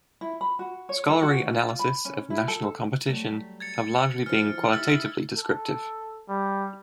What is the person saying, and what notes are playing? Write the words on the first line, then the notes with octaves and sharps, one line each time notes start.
Scholarly analyses of national competition have largely been qualitatively descriptive.
E4
B5
F#4
C#5
A4
F#4
F4
B5
C#4
E4
A4
F#3 G3 A3
G#6 A6 C#7
E3 F3 F6
D#4 E4 G4 E6 A6
A4
G3